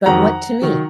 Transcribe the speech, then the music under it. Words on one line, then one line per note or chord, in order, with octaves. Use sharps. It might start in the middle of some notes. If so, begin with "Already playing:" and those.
But what to me?
F2 D#3 F#3 F#5 A#5
D#3 F#3